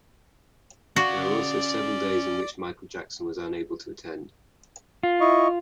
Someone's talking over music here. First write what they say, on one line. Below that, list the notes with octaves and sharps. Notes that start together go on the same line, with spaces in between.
There were also several days in which Michael Jackson was unable to attend.
C#4 F#4 D5 F5
F4
E4 D#5 C#6